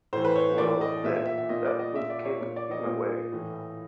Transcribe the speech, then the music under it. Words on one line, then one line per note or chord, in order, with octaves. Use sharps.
Well! Then, that will keep him away.
A2 E3 C5
B4
C#5
A2 E3 D5
D#5
A#2 E5
E5
E5
E5
A#2 D#5
D5
D#5
A#2 E5
D5
C#5
A#2 C#5
D5
D#5
A#2
A2 E3